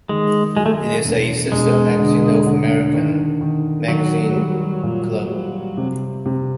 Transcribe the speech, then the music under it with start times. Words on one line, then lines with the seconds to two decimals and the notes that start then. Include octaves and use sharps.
It is a sister magazine of American magazine "Club".
0.09 D#3 G#3
0.57 F#3 G#3
0.66 A3
0.74 G#3
1.05 E1
1.52 E1 G#3
1.99 D3
2.46 D3
2.93 D#3
3.41 D#3
3.88 D#3 F#3
4.36 G3
4.83 A#2
5.30 G3
5.77 C3
6.25 C3